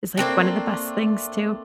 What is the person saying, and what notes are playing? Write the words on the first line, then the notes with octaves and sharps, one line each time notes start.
is, like, one of the best things, too?
A3 A#3 C4 D4